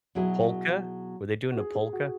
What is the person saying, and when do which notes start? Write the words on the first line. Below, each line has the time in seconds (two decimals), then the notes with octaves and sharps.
Polka? Were they doing the polka?
0.15 B2 F#3 E4 G#4
1.51 F#4
1.57 G#4
1.75 G#4
1.93 F#4